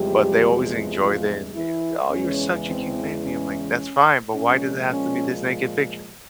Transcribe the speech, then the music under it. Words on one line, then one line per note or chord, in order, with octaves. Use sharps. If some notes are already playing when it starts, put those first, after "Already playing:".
but they always enjoyed and they go, "Oh, You're such a cute baby." I'm like, "That's fine. But why does it have to be this naked picture?"
Already playing: E2 C3 F3 G3 G#3 G4
F3 F4
E3 E4
E2 C#3 E3 G#3 C#4
C4
C#4
A#2 F3 G#3 C#4
C#4